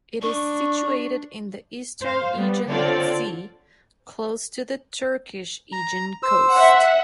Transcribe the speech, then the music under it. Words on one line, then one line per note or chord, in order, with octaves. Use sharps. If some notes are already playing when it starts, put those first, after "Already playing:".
It is situated in the eastern Aegean Sea, close to the Turkish Aegean Coast.
D4 C#6
C5 F5
G3 B3
D3 C4 F4 A4 C#5 D5
A#5
C5 E6
E5 F#5